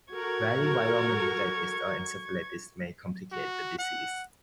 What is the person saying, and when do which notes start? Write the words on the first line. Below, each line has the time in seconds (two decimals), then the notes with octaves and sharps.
Rarely viral meningitis or encephalitis may complicate the disease.
0.14 F#4 A4 A#4 C#6 G#6
3.32 F#4
3.79 F#5